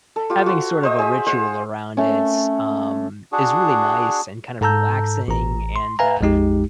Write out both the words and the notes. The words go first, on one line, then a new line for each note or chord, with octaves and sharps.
having sort of a ritual around it, um, is really nice and kind of relaxing, and, uh,
A4
F4 G4
F#4 C5
C5 D#5 E5
G#4 C5 E5
C5 F5 F#5 G#5
A3 C#4
D4 F#4 G#4
G#2 A4 A5 A#5 E6 G6
A1 A#5
C6
B4 E5 F5 G#5 A#5
A#1 F2 G#3 D#4 G4